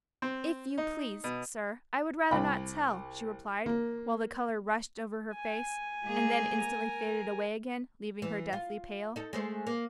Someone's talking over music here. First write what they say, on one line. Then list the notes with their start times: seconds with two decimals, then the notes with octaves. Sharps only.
"If you please, sir, I would rather not tell," she replied, while the color rushed over her face, and then instantly faded away again, leaving her deathly pale.
0.22 C4
0.78 D#4
1.24 B2
2.31 C2 B5
3.66 A#3
5.35 G#5
6.03 G#3 A#3 G#4
6.62 A#4
8.22 E3
8.53 F4
9.16 D#4 A4
9.33 G#3 A3 C5
9.67 A#3